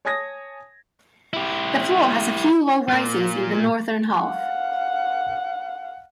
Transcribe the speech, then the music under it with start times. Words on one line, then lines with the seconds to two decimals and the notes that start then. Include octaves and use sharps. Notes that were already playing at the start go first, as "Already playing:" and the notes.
The floor has a few low rises in the northern half.
0.05 C#5 G#5 A5 D#6 G#6 A#6
1.33 E4 G4
2.89 A#2 F4
4.17 F5 F#5